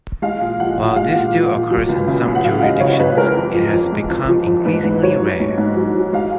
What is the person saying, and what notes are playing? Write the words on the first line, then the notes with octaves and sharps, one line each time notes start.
While this still occurs in some jurisdictions, it has become increasingly rare.
G#3 F5
A#2
F3 F#5
A#2
F#5
G#3 F5
A#2
F3
A#2
F#3
C#2
C#3
C#2
F#5
F#3 F5
C#2 D#5
C#3 C#5
C#2 B4
G#3 A#4
F2
F3
F2
G#3
F2
F3
F2
G#2 B4
G#2
F#3 C#5
F#3
G#2
G#2
F#3
F#3
G#3 F5